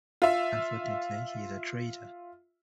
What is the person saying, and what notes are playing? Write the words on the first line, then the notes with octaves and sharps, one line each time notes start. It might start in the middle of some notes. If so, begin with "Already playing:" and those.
Unfortunately, he is a traitor.
F4 E5